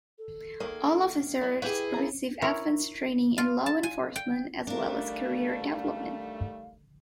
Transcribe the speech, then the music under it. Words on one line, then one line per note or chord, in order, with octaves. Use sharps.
All officers receive advanced training in law enforcement as well as career development.
A4
D#3 A#3 G#4
G3 E4
E4 G4 G#4 B4 F#5
A#3 A5 A#5
E4 A#4 C#5
F4
A5
G#5
G5
D#3 G3 A3 D4 A#4 F5